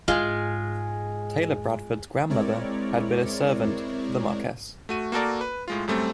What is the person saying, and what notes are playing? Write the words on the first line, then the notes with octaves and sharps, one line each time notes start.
Taylor Bradford's grandmother had been a servant for the Marquess.
G#2 G#3 F4 G#4
G#3 C4 E4 A#4 C#5 D5
A3 F#4 D#7
A#3 F#4 A4 A#4 D5
B4
A2 G#3 F4
F#2 G3 A3 C4